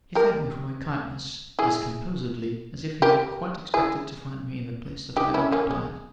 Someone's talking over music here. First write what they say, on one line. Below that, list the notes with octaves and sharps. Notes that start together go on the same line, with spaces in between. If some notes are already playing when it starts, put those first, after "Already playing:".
He thanked me for my kindness, as composedly as if he had quite expected to find me in the place that I occupied.
G4 A#4
E4 G#4
G4 A#4
E4 G#4
D#4 G4
C#4 E4
A#3 C#4
G#3